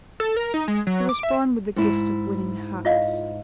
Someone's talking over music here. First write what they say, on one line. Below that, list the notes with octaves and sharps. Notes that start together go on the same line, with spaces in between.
He was born with the gift of winning hearts.
A4
A#4
D#4
G#3
F#3
D6
E5
G#2 E4
F4 D#5 F5